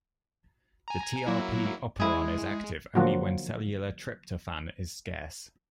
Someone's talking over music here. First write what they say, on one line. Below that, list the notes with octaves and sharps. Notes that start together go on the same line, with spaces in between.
The trp operon is active only when cellular tryptophan is scarce.
G#5 A#5
F#3 A#3 E4
G#3 E4 G#4
D3 F3 F#3 A#3 F4 F#4